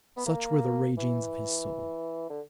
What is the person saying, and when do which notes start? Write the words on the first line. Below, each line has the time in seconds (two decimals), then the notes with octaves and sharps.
Such were the ragings of his soul.
0.17 B3
0.26 A#3
0.97 E3
2.30 D3